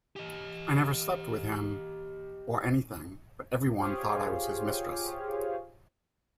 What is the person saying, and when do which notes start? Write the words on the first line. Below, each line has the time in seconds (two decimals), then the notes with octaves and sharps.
I never slept with him or anything, but everyone thought I was his mistress.
0.16 G4 D#5
3.79 F4 G4 G#4 C5 C#5 F5